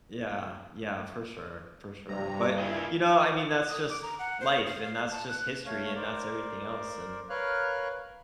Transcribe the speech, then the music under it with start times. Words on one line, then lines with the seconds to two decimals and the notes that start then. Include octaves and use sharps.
Yeah, yeah, for sure, for sure, but, you know, I mean, that's just life, and that's just history, and that's everything else, and,
2.08 G2 C3 G3 A#5
2.58 A#3 E4 F4 G#4 D#5
3.70 D#6
3.89 D6
4.02 A#5
4.19 F#5
4.41 C5
4.66 F5
4.85 F5
5.10 A5
5.29 F#6
5.65 A3 C#5 F5
5.95 A#4 C5 D5
7.29 A#4 B4 C#5 F5 F6 F#6